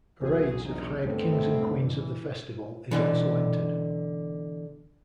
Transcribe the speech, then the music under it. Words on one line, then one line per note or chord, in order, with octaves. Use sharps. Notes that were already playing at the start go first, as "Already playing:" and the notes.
Parades of hired Kings and Queens of the festival is also entered.
B1 E2 F#4 G#4
A#1 D#4
D2 G2 D3 A3 B3 C4
E3
B2 D3 E3